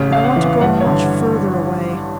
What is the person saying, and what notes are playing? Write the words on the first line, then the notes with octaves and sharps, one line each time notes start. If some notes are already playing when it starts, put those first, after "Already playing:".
I want to go much further away.
Already playing: A1 C#3
C#3 F5
F#5
E3
G2 F#5
C#5
D3